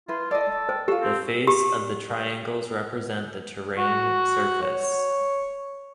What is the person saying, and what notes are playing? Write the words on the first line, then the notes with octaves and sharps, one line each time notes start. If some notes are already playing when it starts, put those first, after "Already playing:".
The face of the triangles represent the terrain surface.
E4 F4 B4
A4 D5 D#5
C5 G5
F4 G4 A4
C4
G4
F#4
C#5